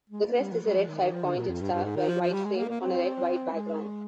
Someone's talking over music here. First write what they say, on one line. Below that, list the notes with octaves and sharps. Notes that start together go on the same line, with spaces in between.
The crest is a red five-pointed star, white framed, on a red-white background.
G#3
A#3
G3
F3
G3
F3
D#3
D#3
F3
D3
A#2
F2
G2
G2
G#2
D#3
F3
F3
G3
G#3
A#3
A#3
C4
G#3